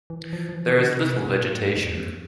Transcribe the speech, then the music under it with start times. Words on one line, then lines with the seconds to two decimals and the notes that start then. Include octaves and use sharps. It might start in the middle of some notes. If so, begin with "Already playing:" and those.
There is little vegetation.
0.10 E3
0.33 F3
0.49 F3
0.54 E3
0.67 E3
0.77 D3
0.94 C3
1.09 B2
1.26 B2
1.43 A2
1.59 G#2
1.76 E2
1.92 F2